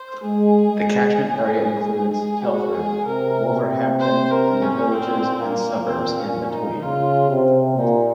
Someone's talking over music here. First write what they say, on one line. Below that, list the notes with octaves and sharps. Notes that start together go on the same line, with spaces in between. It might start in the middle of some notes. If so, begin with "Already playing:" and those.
The catchment area includes Telford, Wolverhampton and the villages and suburbs in between.
Already playing: C5
G#3 G#4
G#3
G#3
G#4
F#4
G#4
C3 A#4
C5
A#4
C#4
A#2 C4
A#3
C4
C#4
D#4
C#3 F4
C3
A#2 D#4